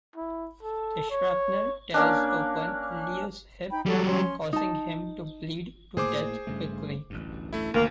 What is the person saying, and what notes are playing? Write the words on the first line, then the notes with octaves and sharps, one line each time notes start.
The shrapnel tears open Leer's hip, causing him to bleed to death quickly.
E4
A4
C#5
A#3 C#4 D4
D#4 G5 B5
F#3 G3 F#4 A4 C#5
C#4 C#5 C6
D#4 A5
A2 A#3 G#4 C5 D6
G2 C#3 A3
A1 D2 G2
A3 E4
E1 D2 D#3 A#3